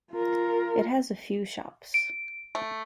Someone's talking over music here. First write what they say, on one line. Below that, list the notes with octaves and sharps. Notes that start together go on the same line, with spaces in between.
It has a few shops.
F4 A#4
D7
A3